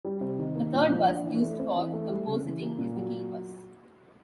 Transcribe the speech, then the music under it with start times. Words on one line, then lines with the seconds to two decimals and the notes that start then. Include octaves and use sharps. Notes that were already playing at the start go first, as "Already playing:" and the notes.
A third bus used for compositing is the "key bus".
0.05 G3
0.21 C3
0.39 D#3
0.56 A#3
0.73 A#2
0.90 F3
1.08 D4
1.24 E3
1.42 A3
1.59 C4
1.76 E3
1.94 A3
2.10 G3
2.27 C#3
2.45 E3
2.62 A#3
2.78 A#2
2.96 F#3